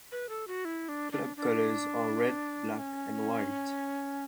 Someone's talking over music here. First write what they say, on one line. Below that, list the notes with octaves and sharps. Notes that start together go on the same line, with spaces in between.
Club colours are red, black, and white.
B4
A4
F#4
E4
D4
D4
D4
C#4